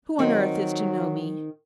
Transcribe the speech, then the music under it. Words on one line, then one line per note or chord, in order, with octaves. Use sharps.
Who on earth is to know me?'
D#3 F#3 C4